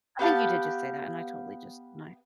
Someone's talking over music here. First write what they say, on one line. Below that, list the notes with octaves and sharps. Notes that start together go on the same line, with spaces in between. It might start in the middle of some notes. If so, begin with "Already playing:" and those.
I think you did just say that, and I totally just my
B3 G4 F5 A5